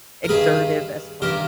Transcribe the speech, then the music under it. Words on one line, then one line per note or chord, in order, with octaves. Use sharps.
exertive, as far
A#4
G2 D#3 G#4 B4
G2 D#3 G4 A#4